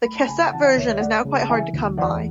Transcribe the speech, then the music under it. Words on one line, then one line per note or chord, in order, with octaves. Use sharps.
The cassette version is now quite hard to come by.
A3 B5
A5
C#3 G#5 B5
E3 F#5 A5
F#5 A5
D2 C#5 E5
C#5 E5
A3 D5 F#5
C#3
A5
E3 E5 G#5
D2
E2 D5 F#5